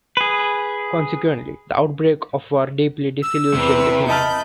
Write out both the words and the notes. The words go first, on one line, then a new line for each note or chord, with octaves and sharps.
Consequently, the outbreak of war deeply disillusioned him.
G#4 B4
E6
E2 C3 B4
D#5 A5 B5 F6 G6